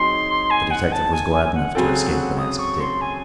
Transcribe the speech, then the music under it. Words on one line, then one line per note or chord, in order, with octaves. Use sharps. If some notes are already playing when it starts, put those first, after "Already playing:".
The detective was glad enough to escape and ask Dick.
Already playing: F#3 C4 D#4 G#4 C6
G#5
F#5
A5
G#5
G#5
G#5
F#5
C#3 F#3 C4 F#4 A4 G#5
F#5
D#6
C#6
C6
G#5